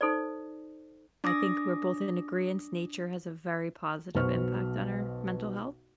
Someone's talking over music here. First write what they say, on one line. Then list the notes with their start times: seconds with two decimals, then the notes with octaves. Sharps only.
I think we're both in agreeance, nature has a very positive impact on our mental health,
0.01 D#4 A4 C5 D5
1.24 D4 D6 D#6 A#6
4.15 B1 B2 B4 C5 C#6 F6